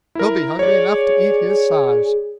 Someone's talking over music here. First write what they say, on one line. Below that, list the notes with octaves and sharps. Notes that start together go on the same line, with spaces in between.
"He'll be hungry enough to eat his size."
E4 A#4
G#4 C#5 D5